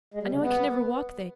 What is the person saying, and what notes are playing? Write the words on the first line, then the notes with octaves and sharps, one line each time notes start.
I know I can never walk there.
G#3
G3
C#3
B3